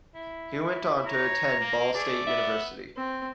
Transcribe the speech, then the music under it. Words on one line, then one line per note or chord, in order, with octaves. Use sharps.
He went on to attend Ball State University.
E4
C#5 A#5
A#3
A3 G#4 D5
B3 E5
C4